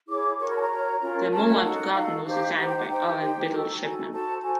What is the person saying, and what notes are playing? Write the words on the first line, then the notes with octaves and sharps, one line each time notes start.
The Moonlight garden was designed by Ellen Biddle Shipman.
E4 G#4 C#5 D6
F#4 A#4 C#5 C#6
B5
A5
A#5
F#4 A#4 C#5
C#4 F4 A#4
C#4 F4 A#4 A5
F#5
F5
D#4 F#4 A4 F#5
D#4 F#4 A4 F5
D#4 G4 C5 F5
D#4 G4 C5 F#5
G5
F#5
D#4 G4 C5 G5
D#4 G4 C5
D#4 F#4 A4
D#4 F#4 A4 G#5
F#4 A4 C5 A5
F#4 A4 C5 G#5